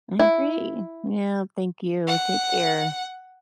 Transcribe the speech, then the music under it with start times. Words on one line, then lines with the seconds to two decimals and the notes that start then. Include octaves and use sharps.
I agree. Yeah, thank you. Take care.
0.19 E4
2.06 F#5